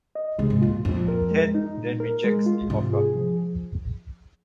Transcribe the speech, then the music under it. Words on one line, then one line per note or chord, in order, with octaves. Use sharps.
Ted then rejects the offer.
D#5
C3 G#3
G#2
A#2 F4
F2 A#2
A#4
G#3
D#4
A#2
A#4
G#3
F4
G#2 C3
G#4
F3